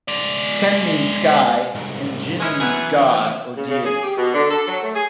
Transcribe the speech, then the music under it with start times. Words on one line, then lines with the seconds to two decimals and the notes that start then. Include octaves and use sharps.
Ten means sky and jin means god or deity.
0.08 G#3 D5
1.75 C2 G#2
2.40 E3 G#3 C#4 E4
2.60 F#3 B3 G#4
3.56 C#3
3.70 C#3
3.85 G#4
4.03 G4
4.17 B2
4.34 D3
4.51 A4
4.68 F#3
4.82 A3
4.95 G#4